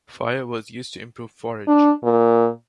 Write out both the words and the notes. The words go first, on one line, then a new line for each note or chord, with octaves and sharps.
Fire was used to improve forage.
D4
A#2